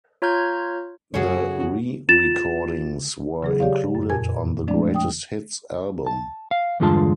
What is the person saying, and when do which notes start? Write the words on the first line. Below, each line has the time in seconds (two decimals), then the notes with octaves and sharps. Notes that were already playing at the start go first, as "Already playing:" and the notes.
The re-recordings were included on the greatest hits album.
0.22 F4 C#5 A#5 F6 G6 G#6
1.14 F#2 C#3 F#4 G#4 A4 C#5
2.09 F4 A6 E7
3.43 C#3 F#3 G#4
3.60 G4 C#5 D5 F5
3.95 F#2
4.10 F2 A#2 A#4 G#5 G#6
4.68 F3 G#3 A3 C4 D4 D5
4.95 G5 D#6
6.07 A5
6.51 F5
6.80 E2 G2 D3 G#3 F4 A5